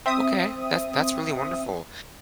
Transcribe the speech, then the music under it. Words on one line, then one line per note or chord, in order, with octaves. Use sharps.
Okay. That's that's really wonderful,
C4 E5 D#6